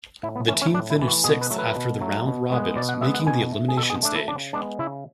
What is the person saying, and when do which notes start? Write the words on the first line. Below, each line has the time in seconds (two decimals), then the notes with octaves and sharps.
The team finished sixth after the round robins, making the elimination stage.
0.23 A2 E4
0.36 B3
0.48 E3 A3 C#4
0.61 C#4
0.74 A2 D4
0.90 E4
0.99 E3 A3
1.08 F#4
1.24 B2 G#4
1.41 B4
1.50 F#3 A3
1.58 B4
1.76 B2
2.01 F#3 A3
2.26 B2
2.50 G#3 B3
2.76 B2 D5
2.89 F#5
3.01 G#3 B3 E5
3.14 F#5
3.27 B2 G#5
3.52 A3
3.68 G#4
3.77 B2 A4
3.90 G#4
4.03 A3 D4
4.15 E4
4.28 C#3 D4
4.53 G#3 B3 D4
4.79 C#3 E4